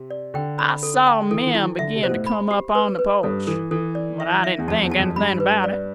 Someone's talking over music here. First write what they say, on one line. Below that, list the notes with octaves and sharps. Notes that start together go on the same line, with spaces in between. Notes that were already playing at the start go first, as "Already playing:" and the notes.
I saw men begin to come upon the porch, but I didn't think anything about it.
Already playing: C3
D5
D3 G5
B5
A4
G5
E3 A4
E3
E4
E3
D3 E5
C3
B2 C5
A2
B5
G4
B4
B4
G2 A4
E3 A4
E3 A4
D5
E5
E5
E2
F2 A5
E2
A5
F2
G2 B5
B4
D5